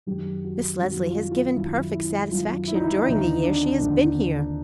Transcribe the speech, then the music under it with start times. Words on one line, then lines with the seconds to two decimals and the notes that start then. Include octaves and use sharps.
Miss Leslie has given perfect satisfaction during the year she has been here.
0.06 F#2 D#3 F#3 G4
0.45 F#4
0.81 F#2 D#3 F#3 F#4
1.06 F4
1.31 F4
1.56 F#2 D#3 F#3 E4
1.93 E4
2.31 F#2 D#3 F#3 F4
2.67 E4
2.75 D#4
2.83 E4
3.06 D#2 D3 F3 D#4
3.43 D4
3.80 D#2 D3 F3